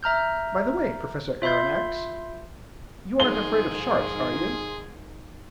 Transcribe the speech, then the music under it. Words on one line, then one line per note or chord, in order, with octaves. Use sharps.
"By the way, Professor Aronnax, you aren't afraid of sharks, are you?"
E5 A#5 F6 G6
F4 E5 B5 C6 G6
G#2 D#3 F3 G#4 C6 G7